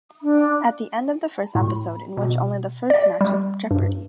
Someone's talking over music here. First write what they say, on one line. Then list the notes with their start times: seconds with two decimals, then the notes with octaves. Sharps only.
At the end of the first episode, in which only the first match's Jeopardy!
0.22 D4
1.55 A2
2.17 B2
2.90 D5
3.21 G3
3.71 G2